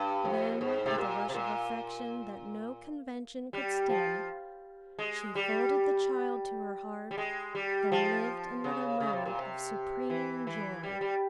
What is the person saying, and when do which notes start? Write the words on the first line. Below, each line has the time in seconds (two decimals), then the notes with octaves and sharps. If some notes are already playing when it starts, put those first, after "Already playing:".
Then with a rush of affection that no convention could stem, she folded the child to her heart and lived another moment of supreme joy.
Already playing: G2
0.25 F2
0.61 G#2
0.86 C3
0.98 A#2
1.29 C3
1.34 A#2
3.53 G3
3.89 F3
4.99 G#3
5.35 G3
7.11 G3
7.18 G#3
7.55 G3
7.92 F3
8.64 C#3
9.00 C#3
9.13 C3
9.25 A#2
9.38 C3
10.10 E3
10.47 E3
10.83 G3
11.01 G3